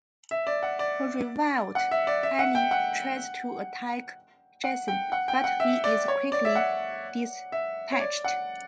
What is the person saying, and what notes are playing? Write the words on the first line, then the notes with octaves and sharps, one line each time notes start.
A revived Ali tries to attack Jason, but he is quickly dispatched.
E5
D5
F#5
D5
F#5
E5
D5
E5
F#5
G5
F#5
F#5
G5
F#5
G5
F#5
E5
D5
C#5
D5
E5
F#5
E5
C#5
D5
F#5